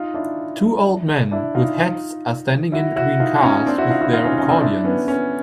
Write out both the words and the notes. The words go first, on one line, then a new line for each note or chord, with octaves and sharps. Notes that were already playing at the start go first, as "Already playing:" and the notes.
Two old men with hats are standing in between cars with their accordions.
Already playing: D#4 F4
D4 E4
D4 E4
D#4 F4
E4 F#4
E4 F#4
D#4 F4
C#4 D#4
C4 D4
E4 F#4
D#4 F4
E4 F#4
D#4 F4
C#4 D#4
C#4 D#4
C4 D4
D4 E4
B3 C#4
B3 C#4